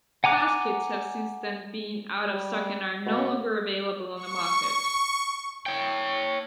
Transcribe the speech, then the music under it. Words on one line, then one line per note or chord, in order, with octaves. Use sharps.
Caskets have since then been out of stock and are no longer available on the market.
F#5 G#5 A#5 D6 F#6
G3
B2
C#6
C#5 G5